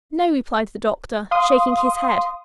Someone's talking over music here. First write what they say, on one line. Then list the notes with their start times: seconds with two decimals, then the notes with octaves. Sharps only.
'No,' replied the Doctor, shaking his head.
1.31 F5 C6 D#6